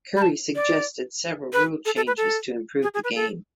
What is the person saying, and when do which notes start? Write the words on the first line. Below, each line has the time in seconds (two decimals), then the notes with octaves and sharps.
Curry suggested several rule changes to improve the game.
0.17 B5
0.22 A5
0.56 D5
1.53 B4
1.86 A4
1.96 A4
2.07 B4
2.17 A4
2.83 G#4
2.94 G#4
3.04 B4
3.15 A4